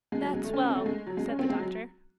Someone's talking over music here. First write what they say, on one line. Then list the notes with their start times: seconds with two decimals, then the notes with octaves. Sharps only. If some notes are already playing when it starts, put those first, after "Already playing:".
'That's well,' said the doctor.
0.12 G#3
0.22 F#3
0.34 G#3
0.44 A3
0.54 C#4
0.64 C4
0.76 A3
0.86 G#3
1.07 F#3
1.17 G#3
1.28 C#4
1.39 C4
1.50 G#3
1.59 F#3